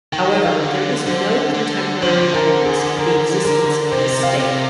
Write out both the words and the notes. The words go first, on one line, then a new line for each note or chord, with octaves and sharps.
However, there is no contemporary evidence of the existence of this state.
D#3 G5
F5
D3
D3 C5
D3
D#3 C5
D3
C3
D3
A#4
G#4
A#4
A#4
C3 C5
F5
C3